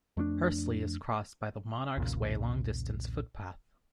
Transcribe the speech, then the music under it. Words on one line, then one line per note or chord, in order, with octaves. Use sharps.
Hursley is crossed by the Monarch's Way long distance footpath.
F2 A3 C#4 D4
B1 E2 A#2 C#3